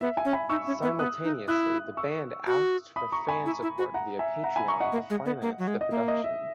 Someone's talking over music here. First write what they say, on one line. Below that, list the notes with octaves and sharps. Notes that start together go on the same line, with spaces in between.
Simultaneously the band asked for fan support via Patreon to finance the production.
B3 E5
E5 G#5
C#4
G#5 B5
D#4 C#6 E6
C#4
B3
B3 D#6 F#6
D#4
E4 D#6 F#6
C#6 E6
F#4
B5 D#6
A#5 C#6
G#5 B5
E4
E4
F#4
F#5 A#5
E5 G#5
F#5 A#5
G#5 B5
A#5 C#6
D#5 F#5
A#3
G#3
B3
A#3
F#3
G#3
D#5
A#3 E5
D#5
E5